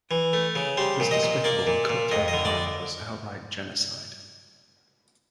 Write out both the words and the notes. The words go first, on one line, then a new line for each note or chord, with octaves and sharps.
This despicable and cutthroat plan was outright genocide.
E3
A3
C#3
G3 C5
A#2
D#5
A#2
A#3 D5
A#2
A#2
F2 D#5
D#5
D3
D5